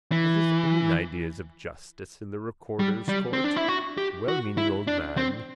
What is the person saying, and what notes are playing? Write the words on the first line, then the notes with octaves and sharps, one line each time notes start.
Has his own ideas of justice in the recorder's court. Wellmeaning old man.
E3
G3
G3
C4
D4
E4
F#4
G4
F#4
E4
D4
C4